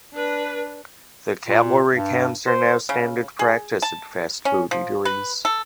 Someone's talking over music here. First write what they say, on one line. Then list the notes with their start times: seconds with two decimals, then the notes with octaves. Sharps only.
The calorie counts are now standard practice at fast food eateries.
0.14 D4 B4
1.48 A#2
1.94 G2
2.47 C5
2.89 C#3
3.39 G#4
3.82 A5
4.45 C#4
4.71 F3
5.05 B4
5.45 A4